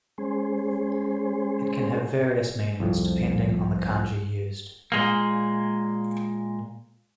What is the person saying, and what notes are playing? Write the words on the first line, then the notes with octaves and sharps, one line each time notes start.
It can have various meanings depending on the Kanji used.
G#3 C#4 G#4 C5
C2 F2 F3
A#2 G#3 A#3